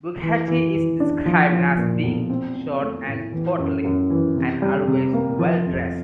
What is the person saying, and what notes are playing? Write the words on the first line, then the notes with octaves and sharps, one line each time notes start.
Bugatti is described as being short and portly, and always well dressed.
E3
E3
E3
D4
F3
F3
A#2
B1
C4
C4
A3
A2
E3
F#2
F#2
E3
C3
G3
C3
A#3
F3
F2